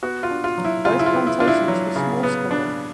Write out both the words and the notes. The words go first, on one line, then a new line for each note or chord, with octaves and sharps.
Both plantations were small scale.
B3 F#4
F4
D4
F4
F#3
E4
C#3 F4
E4
F4
B3
E4
D4 F4
E4
F#3
C#3
B3
D4